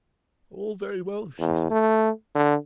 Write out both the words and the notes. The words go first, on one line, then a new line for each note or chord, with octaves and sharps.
"All very well," she said.
E2
A3
D3